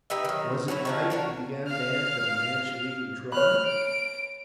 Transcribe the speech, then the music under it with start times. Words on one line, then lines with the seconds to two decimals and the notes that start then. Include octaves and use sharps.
Was it right, he began to ask, that a man should even try?
0.10 D#4 G4 B4 E5
0.25 D#3 F#3
0.68 F#3 C#4 D#4 E4
0.85 D#3 F3 F#4
1.10 D4 F#4 A#4
1.66 F5 F6
3.32 C#5 B5 F6 F#6
3.67 D7